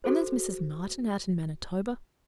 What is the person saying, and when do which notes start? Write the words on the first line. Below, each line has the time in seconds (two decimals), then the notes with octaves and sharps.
And there's Mrs. Martin out in Manitoba.
0.04 F#4 G#4 A4 C5